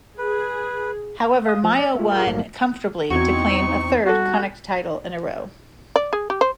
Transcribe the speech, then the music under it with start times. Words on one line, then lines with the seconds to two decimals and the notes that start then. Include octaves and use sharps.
However Mayo won comfortably to claim a third Connacht title in a row.
0.18 G#4 B4
1.46 F5 D#6
1.64 F3
1.79 D5
1.95 A3 F4
2.11 F4 G4 G#4 A#4
2.27 A#1 G#2 G3 A3 A#3
3.10 E2 C4 D#4 F#4 C#6 G#6
4.06 G3 F#4 A4
5.96 D5
6.13 G#4
6.30 G4
6.41 C5